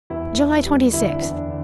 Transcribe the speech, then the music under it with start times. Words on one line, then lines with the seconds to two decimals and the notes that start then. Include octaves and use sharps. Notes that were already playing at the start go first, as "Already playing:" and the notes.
July Twenty-sixth.
0.10 E2 E4
0.38 E2
0.65 G3
0.93 D3 E4
1.05 D4
1.16 E4
1.21 E2
1.34 D4
1.48 D3